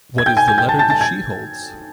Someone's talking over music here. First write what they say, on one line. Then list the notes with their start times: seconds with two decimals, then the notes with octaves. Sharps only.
What is the letter that she holds?
0.18 G#6
0.26 G5 G6
0.37 G#5 G#6
0.48 G#5 G#6
0.58 G5 G6
0.68 A5 A6
0.79 A5 A6
0.90 A5 A6
1.01 G#5 G#6